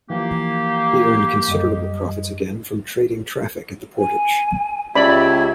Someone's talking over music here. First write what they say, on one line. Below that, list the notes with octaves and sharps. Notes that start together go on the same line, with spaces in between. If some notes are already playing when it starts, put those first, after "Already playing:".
He earned considerable profits again from trading traffic at the portage.
E3 F3 A#3 G4
F#2 G3 D#5
G#5
C#2 G4 D5 E5 B5 G#6